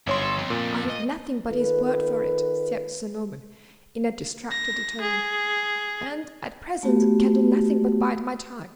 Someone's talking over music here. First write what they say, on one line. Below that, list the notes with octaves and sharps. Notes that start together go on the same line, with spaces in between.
"I have nothing but his word for it!" said Sir Norman, in a distracted tone, "and, at present, can do nothing but bide my time."
G1 F#2 E4 C#5 C6
A4
F2
A#2
D#5
D#3 F4 A4 B4
A#6
G#4
A3 B3 F#4 G4